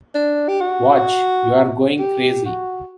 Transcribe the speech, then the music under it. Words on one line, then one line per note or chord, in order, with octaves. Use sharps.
Watch, you are going crazy!
D4
G4
F#4
G4
F#4